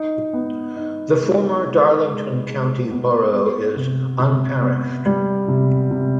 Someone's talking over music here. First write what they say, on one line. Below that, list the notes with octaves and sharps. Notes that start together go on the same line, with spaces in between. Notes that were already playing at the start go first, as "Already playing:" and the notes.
The former Darlington County Borough is unparished.
Already playing: D#4
B3
D#4
G#3
G#3
G#3
G#3
B3
B3
C3
C3
B3
G3
C3
C3